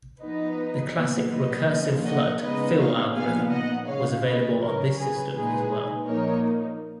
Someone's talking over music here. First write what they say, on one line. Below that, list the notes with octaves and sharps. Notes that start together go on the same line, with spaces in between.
The classic recursive flood fill algorithm was available on this system as well.
F3 B3 D#4 B4 D#5
A#2 F#3 B3
B4 D#5
A#2 F3 A#3 C#4
D#5 F#5
C#3 G#3 B3 D#4 B4 D#5
C#5 F5
A#2 F3 B3 D#4 F5 G#5
D#5 F#5
C#3 G#3 C#4 C#5 F5
B4 D#5
C#3 F#3 C#4 A#4 C#5
G#4 B4
A#2 G#3 D#4 G#4 B4
A#2 F3 A#3 D#4 A#4 C#5